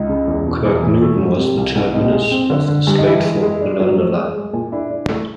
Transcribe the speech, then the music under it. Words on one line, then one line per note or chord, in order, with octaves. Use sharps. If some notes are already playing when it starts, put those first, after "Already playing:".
Kirknewton was the terminus of the Slateford-Balerno line.
Already playing: C#2 D#4
C#3
E2
B2
E2
E3
A3
G#2
C3
C2
C2
C3 D#4
G#3
C4
D3
D3
G2
D#4
E3 E4
G#3
G#3
D4
F#3
A3
G#3
G#3
A#2
D4 E4
D4
A3